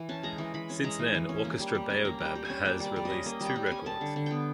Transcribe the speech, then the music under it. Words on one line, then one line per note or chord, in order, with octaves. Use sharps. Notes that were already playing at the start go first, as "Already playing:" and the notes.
Since then Orchestra Baobab has released two records.
Already playing: E3
C#4 A5
G#3 A#5
E3
E3 B5
C#4
G#3 A#5
E3
E3
C#4
A#3
G3
G3
C#4
A#3 A#5
G3 G5
G3
C#4 G#5
A#3 D5
G3
D5
G3
C#4 D#5
A#3 D#5
G3
G5
G3
G#5
C#4
G3 A5
D3
D3
B3 G5